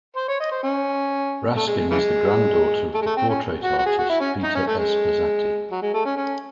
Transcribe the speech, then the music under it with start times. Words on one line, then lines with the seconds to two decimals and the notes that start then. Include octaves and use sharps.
Raskin is the granddaughter of the portrait artist Peter S. Pezzati.
0.16 C5
0.28 C#5
0.40 D#5
0.51 C5
0.63 C#4
1.56 A3
1.67 G#3
1.78 G#3
1.90 C#3 E3 G#3
2.94 A3
3.01 G#3
3.06 A3
3.17 C4
3.29 C#4
3.63 F#4
3.78 F#4
3.86 G#4
3.98 F#4
4.09 E4
4.20 C#4
4.43 D#4
4.55 C#4
4.67 A3
4.78 G#3
5.71 F#3
5.82 G#3
5.93 A3
6.05 C#4
6.17 C#4